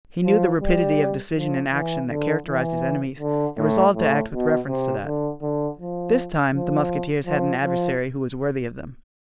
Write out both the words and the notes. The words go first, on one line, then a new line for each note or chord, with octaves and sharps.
He knew the rapidity of decision and action that characterized his enemies and resolved to act with reference to that. This time the musketeers had an adversary who was worthy of them.
F3
G3
F3
E3
D3
E3
D3
A2
A2
B2
C3
D3
D3
F3
F3
F3
F3